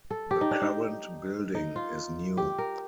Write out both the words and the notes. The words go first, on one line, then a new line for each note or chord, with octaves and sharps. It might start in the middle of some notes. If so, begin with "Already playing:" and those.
The current building is new.
A4
G4
D#4
D4
D#4
D#4
F4
G4
A#4